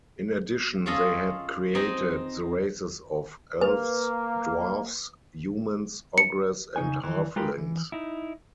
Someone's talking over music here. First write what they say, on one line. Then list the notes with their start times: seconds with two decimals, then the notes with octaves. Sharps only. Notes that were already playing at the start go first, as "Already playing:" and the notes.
In addition they had created the races of Elves, Dwarfs, Humans, Ogres and Halflings.
0.86 C#4 F4 G#4 A4 D#5
1.75 C4 D#4 D#5 G#5
3.61 A#3 B4
6.18 C#7
6.76 C#3 D#4 G#5
7.03 D#3 E3
7.36 G#3 F4 G4 A#4 B4
7.58 E3
7.92 D#4 E4